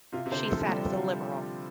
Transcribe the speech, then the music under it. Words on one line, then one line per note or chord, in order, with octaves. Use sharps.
She sat as a Liberal.
C3 F4
C3
D3 C5
F3 A4
G3 G4